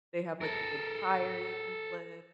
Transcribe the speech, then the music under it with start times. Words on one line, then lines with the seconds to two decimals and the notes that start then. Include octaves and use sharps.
They have, like, a big tire you can flip
0.41 A4 A#4